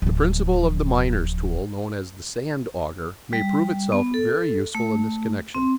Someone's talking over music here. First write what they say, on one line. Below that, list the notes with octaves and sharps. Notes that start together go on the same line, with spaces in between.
The principle of the miner's tool known as the "sand-auger" may prove itself very useful in this connection.
D1 F3
G3
B3
A4
A3
C4